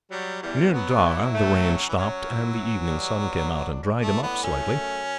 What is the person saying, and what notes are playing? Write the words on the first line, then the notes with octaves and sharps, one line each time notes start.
Near Dhar the rain stopped and the evening sun came out and dried him up slightly.
F#3 G3
E2 G3
F#3 B3
E4
A3
C#4
E3
F#3 C#4
E4
E3
G3
B3
D4
D4
A3
A2
B3
A3 C#4
F#2